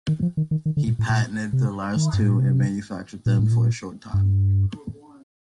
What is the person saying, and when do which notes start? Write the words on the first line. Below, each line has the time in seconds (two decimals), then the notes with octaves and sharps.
He patented the last two, and manufactured them for a short time.
0.08 D#3
0.22 F3
0.37 D#3
0.51 D#3
0.66 D#3
0.77 D3
0.87 A#2
0.99 A2
1.09 A#2
1.53 C3
1.96 D#3
2.13 G2
2.22 A2
2.31 A#2
2.39 C3
3.26 A#2
3.39 A2
3.52 A#2
4.14 G2